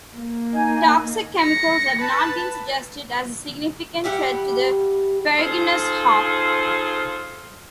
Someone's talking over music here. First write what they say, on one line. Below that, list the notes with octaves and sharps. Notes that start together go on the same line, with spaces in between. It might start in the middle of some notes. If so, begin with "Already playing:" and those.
Toxic chemicals have not been suggested as a significant threat to the ferruginous hawk.
A#3
D#4 G#5
A#6 C#7
B4 A5
G3 E4 G4 F#5
D#4 F4 G#4 A4 C5